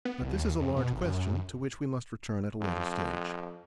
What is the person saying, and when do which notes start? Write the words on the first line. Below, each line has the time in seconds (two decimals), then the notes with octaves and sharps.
But this is a large question, to which we must return at a later stage.
0.05 B3
0.22 C2
0.33 D#2
0.60 F2
0.76 B2
0.93 G#1
1.05 F#2
1.25 F#2
2.61 F2